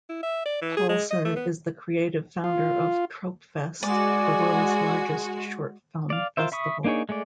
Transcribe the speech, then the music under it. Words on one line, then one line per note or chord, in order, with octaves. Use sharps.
Polson is the creative founder of Tropfest, the world's largest short film festival.
E4
E5
D5
E3
G#4
G#3
D#5
A3
B3
F4
G#3 F#4 D5 G#5
D5 F5
F4 A#4 C5 E5
E5 B5 C#6 D#6
A#3 D4 D#4 G#4 C#5
G#3 A3 G#4 D5